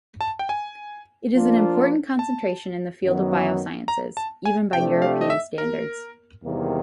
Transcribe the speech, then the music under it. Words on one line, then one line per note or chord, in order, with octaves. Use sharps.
It is an important concentration in the field of biosciences, even by European standards.
A5
G5
G#5
F3 A#3 D4 F4
A5
F#2 D#3 F#3 B3
A#5
A5
G#5
C3 F3 A3 D4 G4 G5
F5
D#5
E5
A#4
E2 C3 D#3 G3 A#3